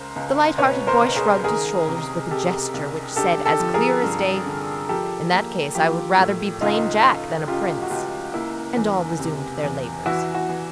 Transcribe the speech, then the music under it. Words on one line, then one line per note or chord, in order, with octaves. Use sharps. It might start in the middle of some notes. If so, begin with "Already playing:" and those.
The light-hearted boy shrugged his shoulders with a gesture which said as clear as day: "In that case I would rather be plain Jack than a prince." And all resumed their labors.
Already playing: C#2 A#4 C5
C#2
B2 B4 C#5
A#4 C5
C#2
G#4 A#4
D#3 G#4 A#4
C3
C3 G4 A4
C2
D3 G4 A4
G4 A4
F3
G#4 A#4
G2
D3
F3 G4 A4
A#3
F3 F4 G4
A2
C#2 D#4 F4
C#2
C#3 F4 G4
F#4
C#2 F4 G4
A#3 E4
E2
C3
E2
E3 E4 F#4
E4 F#4
E3